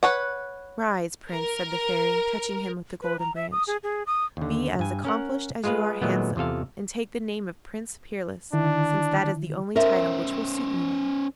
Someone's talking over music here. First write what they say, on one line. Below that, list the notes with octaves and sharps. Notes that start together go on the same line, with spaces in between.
'Rise, Prince,' said the Fairy, touching him with the Golden Branch. 'Be as accomplished as you are handsome, and take the name of Prince Peerless, since that is the only title which will suit you now.'
B4 C#5 F#5
A#4
B4
A#5
E5
D#6
G#4
G#4
D#6
D#2 D3
G2 G#5
C#4 A#4 F#5
G#3 F4 G#4 B4 F5
A#2 D#3 F#3 G#3 A3 B3
E2 C3 F4 A4 F5
D3 D#3 D4 E4
C#4 A#4 C5 E5